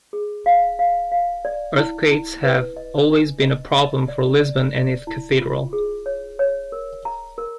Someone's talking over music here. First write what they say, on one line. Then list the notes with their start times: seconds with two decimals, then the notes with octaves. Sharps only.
Earthquakes have always been a problem for Lisbon and its cathedral.
0.13 G#4
0.46 F5
0.79 F5
1.12 F5
1.45 D5
1.78 E4
2.11 E4
2.43 B4
2.77 D#5
3.09 D4
3.42 D#5
3.75 D#5
4.08 D5
4.41 D5
4.74 D5
5.07 E4
5.40 F4
5.73 G#4
6.06 C#5
6.39 C#5
6.72 A#4
7.05 A#5
7.38 A#4